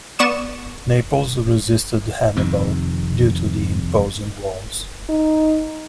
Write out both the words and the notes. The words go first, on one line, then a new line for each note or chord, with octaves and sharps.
Naples resisted Hannibal due to the imposing walls.
B3 D5 C#6 D#6 E7
F2 C3 D#3
D#4